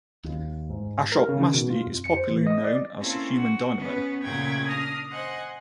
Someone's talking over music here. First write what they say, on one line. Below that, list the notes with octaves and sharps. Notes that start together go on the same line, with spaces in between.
Ashok Masti is popularly known as Human Dynamo.
D#2
G#2
A#4
C#3
D#3
B2
F4
F2
C#7
C5
E3
D#5
D5
A#3 C4 C#4 E4 F4 A4
F#4
B3 C#4 B4
A#2 C#3 A3 F#5 G5 G#6
D4 D#6 F6 A#6
C5 D#5 F#5 G#5 F#6